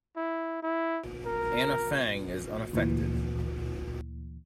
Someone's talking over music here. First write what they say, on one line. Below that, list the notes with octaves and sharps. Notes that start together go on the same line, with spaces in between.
Anna Fang is unaffected.
E4
E4
A#4
D2 A#2 E3